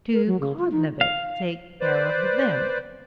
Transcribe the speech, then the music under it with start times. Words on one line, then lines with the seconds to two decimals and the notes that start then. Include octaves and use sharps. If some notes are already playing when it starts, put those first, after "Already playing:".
Two cognovits--take care of them.
0.13 A#4
0.27 F#3
0.40 C#3
0.59 F4
0.72 D#4
1.01 F5
1.81 B4 C5 D5